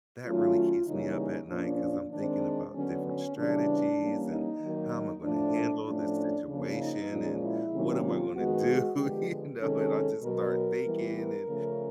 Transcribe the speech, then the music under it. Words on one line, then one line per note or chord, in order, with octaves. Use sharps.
that really keeps me up at night 'cause I'm thinking about different strategies and, "How am I gonna handle this situation" and, "What am I gonna do," you know? And I just start thinking and
D#3 F#3 A3 C#4 F4
C#3 E3 G3 A#3 C#4 D#4
A#2 F3 A#3 C#4 D4
D#3 G#3 C4 D4
D3 F#3 B3 C#4
C#4
C#3 E3 G3 B3 D4
E3 G3 A#3 C#4
D#4
D#3 F#3 A#3
A2 F3 A3 D4
A2 F3 A3 C#4 D4
C#3 F3 A#3 D4
D#4
A#2 F3 G#3 C#4
E4
C3 D#3 F#3 A#3 C#4
F4
D#3 G#3 B3 F#4
D3 F3 G#3 B3 G4
C3 D#3 G#3 C#4 A4
B2 F#3 B3 A#4
E3 G3 B3
A#4
C#3 F3 A3 C#4